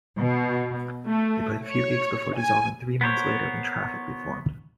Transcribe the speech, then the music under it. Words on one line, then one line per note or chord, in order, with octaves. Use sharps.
They played a few gigs before dissolving three months later when Traffic reformed.
B2
A3
C#5
G#5
B3 A#4 C5 C#5